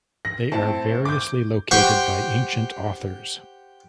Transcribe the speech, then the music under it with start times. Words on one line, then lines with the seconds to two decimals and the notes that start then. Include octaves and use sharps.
They are variously located by ancient authors.
0.25 A#6
0.52 A2 C4 A5
1.05 D6 G6
1.71 G4 C5 F#5 G5 C#6